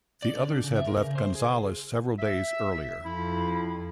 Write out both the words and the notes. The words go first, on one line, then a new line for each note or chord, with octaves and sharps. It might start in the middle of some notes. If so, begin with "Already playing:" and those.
The others had left Gonzales several days earlier.
D5
D3
D4
C#3
E5
A#4
C#3
C5
G#4
E5
F2 E4